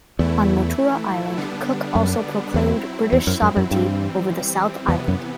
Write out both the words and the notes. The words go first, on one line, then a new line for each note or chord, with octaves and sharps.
On Motuara Island, Cook also proclaimed British sovereignty over the South Island.
E2 E3 A3 E4
D3 G3 B3 D4
F#2
E2 F#3 C4 E4
E2
F#2
F#2
F#2
G2 E3 G3 C4
E2 C3 E3 B3
F#2